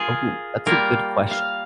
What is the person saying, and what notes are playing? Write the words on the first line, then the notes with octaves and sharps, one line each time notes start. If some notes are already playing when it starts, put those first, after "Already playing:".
Ooh, that's a good question.
Already playing: F4 G#4 A#4
G3 A#3 F4 A#4
F5